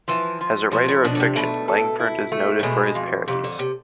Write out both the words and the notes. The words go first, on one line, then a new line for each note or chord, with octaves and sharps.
As a writer of fiction, Langford is noted for his parodies.
E3 F3
F3
B2 F3
A2
B2 D4
D3
C3
B2 A3
A4
E4
A3
A2
B2 G#3
F2
F2 C3
D3
C3